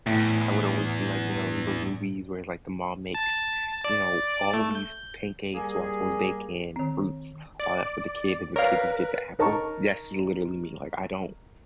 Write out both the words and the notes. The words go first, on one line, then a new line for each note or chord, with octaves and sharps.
I would always see, like, you know, in those movies where, like, the mom makes, you know, all of these pancakes, waffles, bacon, fruits, all that for the kid, and the kid just get the apple. That's literally me, like, I don't
E2 A2
A5
D5
A3
G6
G3 A#3 G#4
D#3 C4
D5
A#4 B4 C#5 D5 F5
D#4 A#4 A5 A#5 C#6